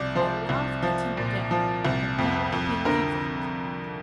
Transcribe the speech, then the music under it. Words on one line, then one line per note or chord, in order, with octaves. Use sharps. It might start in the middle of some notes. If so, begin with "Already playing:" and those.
I laughed at him then, but now I believe it.
Already playing: C2 F3 D5
F3 C5
C2
F3
A#2
F3
C2
F2
F2
D3 A#4